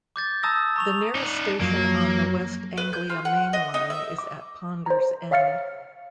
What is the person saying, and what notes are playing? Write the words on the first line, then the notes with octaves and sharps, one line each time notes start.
The nearest station on the West Anglia Main Line is at Ponders End.
D6 G6 A6
A5 A#5 D#6 E6 A6 A#6
A#5 C#6 F7
D#4 D5
F#2 F3 F#3 A#3
B4
G6
F4
F#5
D#5
D#4
E5
D6
C5 A#5
C#5 E5 F5 F6 A6 C#7